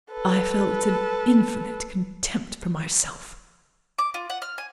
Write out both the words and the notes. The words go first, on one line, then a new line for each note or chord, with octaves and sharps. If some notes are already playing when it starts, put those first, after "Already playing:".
I felt an infinite contempt for myself.
A4 B4
D6
F4
F#5
F6
G#5